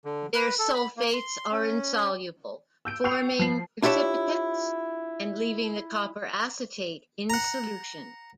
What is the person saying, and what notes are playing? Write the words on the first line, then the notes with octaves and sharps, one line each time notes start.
Their sulfates are insoluble, forming precipitates and leaving the copper acetate in solution.
D3
B4
A4
B5
A#3
C6
C#4
E6 G6 D7
G5 C#6 E6 G6 C7 F7
F3 C7
D4 E4 F4 G4 C#5 A5
F#5 A#5